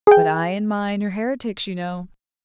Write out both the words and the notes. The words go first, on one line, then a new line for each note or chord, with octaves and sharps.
"But I and mine are heretics, you know!"
G#4 G5